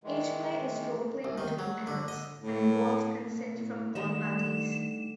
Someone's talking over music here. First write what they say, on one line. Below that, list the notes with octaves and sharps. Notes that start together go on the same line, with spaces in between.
Ageplay is roleplaying between adults, and involves consent from all parties.
D#3 E3 G#3
C2
D#3
F#3
D3
D#5
A2
A2
D3 D#3 G3 A3 D#4 E7